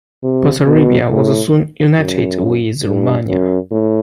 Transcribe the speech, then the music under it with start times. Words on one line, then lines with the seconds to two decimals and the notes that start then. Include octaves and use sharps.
Bessarabia was soon united with Romania.
0.23 C3
0.66 B2
1.11 A2
1.97 F#2
2.85 G2
3.28 F#2
3.71 A2